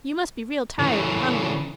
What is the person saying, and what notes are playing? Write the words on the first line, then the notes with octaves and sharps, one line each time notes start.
You must be real tired and hungry.
C#3 E3